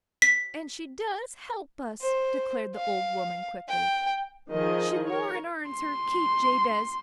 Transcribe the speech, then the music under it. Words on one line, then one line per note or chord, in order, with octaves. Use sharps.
And she does help us," declared the old woman, quickly. "She more'n airns her keep, Jabez.
B6
C5
F5
G5
D#3 F3 G#4 D#5
A#4 C#5
C6